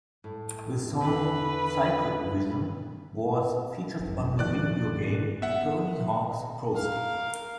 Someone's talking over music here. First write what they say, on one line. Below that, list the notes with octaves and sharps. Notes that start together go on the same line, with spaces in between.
The song "Cyco Vision" was featured on the video game "Tony Hawk's Pro Skater".
A2
E2 D3 B4
G#1 F#2
D#2 F3 D5 F#6
G#2
B3 E5 F#5
A#4 F5